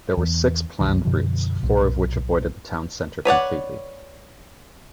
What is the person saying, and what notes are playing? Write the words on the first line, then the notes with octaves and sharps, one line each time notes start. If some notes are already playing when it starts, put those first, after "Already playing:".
There were six planned routes, four of which avoided the town centre completely.
E2
C2 F#2 D#3
F#2 B2 D3 F3
B1 A#2
B4 C#5 D5 F#5